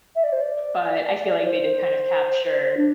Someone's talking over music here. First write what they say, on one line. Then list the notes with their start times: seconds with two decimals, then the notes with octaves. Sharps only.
but I feel like they did kind of capture
0.15 E5
0.24 D5
0.32 C5
0.41 D5
1.46 C5
2.77 D4